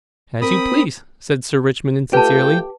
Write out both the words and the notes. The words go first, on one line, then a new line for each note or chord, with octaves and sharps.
"As you please," said Sir Richmond insincerely.
C4 A#4 B5 D#6
A3 F4 G4 A4 B4 G5 A5